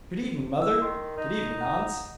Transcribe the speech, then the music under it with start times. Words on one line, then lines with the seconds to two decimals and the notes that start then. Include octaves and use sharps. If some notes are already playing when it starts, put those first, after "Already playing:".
'Good evening, mother.' 'Good evening, Hans.
0.62 E4 E6
0.82 D#3 C6
1.17 D#4
1.61 F#5 A#5 D#6